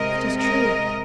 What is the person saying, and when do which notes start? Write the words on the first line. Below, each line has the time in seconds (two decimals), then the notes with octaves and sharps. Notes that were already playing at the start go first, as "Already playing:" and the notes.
"That is true."
Already playing: C3 G#3 C4 A#4 D#5
0.37 A#4 D#5